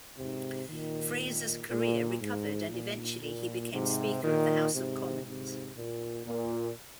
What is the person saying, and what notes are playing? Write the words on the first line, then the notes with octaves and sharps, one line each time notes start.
Fraser's career recovered and eventually he became Speaker of the House of Commons.
G#2 C3
A#2 D#3
A#2
G#2
A#2
A#2
G#2 C3
A#2 D#3
G#2 C3
G#2 C3
A#2
A#2